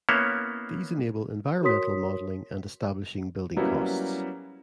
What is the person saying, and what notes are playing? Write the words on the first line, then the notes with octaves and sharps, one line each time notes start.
These enable environmental modelling and establishing building costs.
A#3 B3 C#4 E4 C#5 E5
F#4 A#4 C#5 C6 D#6 B6
F#3 G3 A#3 B3 C#4 E4